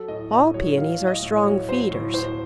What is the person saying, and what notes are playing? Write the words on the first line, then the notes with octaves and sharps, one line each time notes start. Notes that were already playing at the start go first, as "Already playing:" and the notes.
All Paeonies are strong feeders.
Already playing: F#3 A4
A2 D#5
A2 D#5
F#3 C#5
F#3 F5
A2
D#5
A2
C#5
F#3
F#3 C5
A2
A2 C5